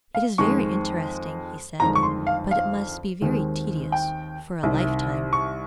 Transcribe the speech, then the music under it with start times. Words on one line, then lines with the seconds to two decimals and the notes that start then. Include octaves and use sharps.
"It is very interesting," he said, "but it must be very tedious for a lifetime."
0.15 F5
0.38 F2 D#3 G#3 C4 C#6
1.80 G1 F2 D#3 G#3 A#5
1.95 C#6
2.03 C6
2.27 F5
2.51 F5
3.22 D#2 D#3 G#3 C4
3.92 G5
4.63 C2 C3 D#3
5.33 C#6